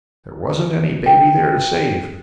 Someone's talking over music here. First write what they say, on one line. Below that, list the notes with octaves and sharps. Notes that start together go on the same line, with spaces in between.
There wasn't any baby there to save.
G5